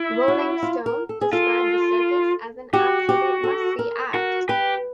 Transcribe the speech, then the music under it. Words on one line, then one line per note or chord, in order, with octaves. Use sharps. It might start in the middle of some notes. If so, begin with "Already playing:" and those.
"Rolling Stone" described the circus as an "absolute must-see act".
Already playing: E4
F#4
F4
A#4
A4
G#4
F4 A4
F#4 G4
G4
A4
A#4
F#4 A#4
G4 B4